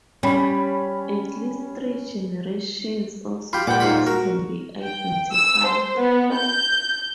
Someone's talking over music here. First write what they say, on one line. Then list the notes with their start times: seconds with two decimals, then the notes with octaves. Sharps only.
At least three generations of scholars can be identified.
0.23 G3 C#4 B5
3.53 F4 G4 B5
3.67 A#2 F#5 G5 D6
3.80 G#2 F4 B5
4.07 F#4 A#4
4.84 G5
5.32 E6
5.65 C5
5.99 B3
6.34 G6